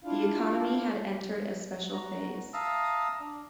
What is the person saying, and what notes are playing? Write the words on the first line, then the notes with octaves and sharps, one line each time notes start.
The economy had entered a special phase.
D4 E4 F4 F5
F#4 A#5
E5 F5 A5 A#5 D#6 E6
D4